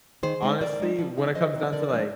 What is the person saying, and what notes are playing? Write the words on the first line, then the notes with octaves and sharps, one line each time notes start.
honestly, when it comes down to, like,
D#3 G#4 C5
G#3 D#4
D#3 A#4 D5
G#3 D#4
F3
C4 D#4
F3 C5 D#5
C4 D#4
D3 A#4 D5
F3 G#3 D4